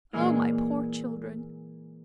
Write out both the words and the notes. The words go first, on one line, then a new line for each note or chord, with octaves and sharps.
O my poor children!
A#2 E3 G#3 A#3